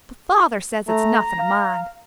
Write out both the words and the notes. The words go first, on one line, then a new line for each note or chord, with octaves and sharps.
But father says it's nothing to mind.
A3 A#5
F5